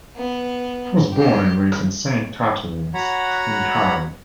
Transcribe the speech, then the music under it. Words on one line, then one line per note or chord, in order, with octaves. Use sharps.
He was born and raised in Saint Catharines, Ontario.
B3
G4
F#4 C#5 F#5 A#5 B5